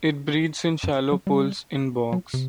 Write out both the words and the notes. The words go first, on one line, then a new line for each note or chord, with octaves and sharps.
It breeds in shallow pools in bogs.
F#2
F#3
G3
F#3
C3